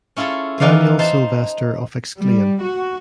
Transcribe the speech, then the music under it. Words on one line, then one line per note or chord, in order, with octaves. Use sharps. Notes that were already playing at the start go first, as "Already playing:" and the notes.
Daniel Sylvester of Exclaim!
C#4 E4 F4 G#4 A4
E2 E3 D#4 D5 F5
D#4 C5 A5
G3
F#4